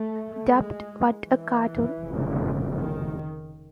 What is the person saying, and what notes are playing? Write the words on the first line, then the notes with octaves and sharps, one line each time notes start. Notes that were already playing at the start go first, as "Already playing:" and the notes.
Dubbed What a Cartoon!
Already playing: A3
G#3
E3
F1 F2 C#3
D#3